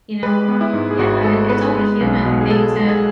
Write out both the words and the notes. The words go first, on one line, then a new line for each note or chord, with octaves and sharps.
you know, um, yeah, and it's only human, I think, to
G#3 B4
B3
E4
G#2
G#4
G#1 F#4
G#3 A4
B3 B4
G#3
B1
B2
G#4
B1 A4
G#3
G#4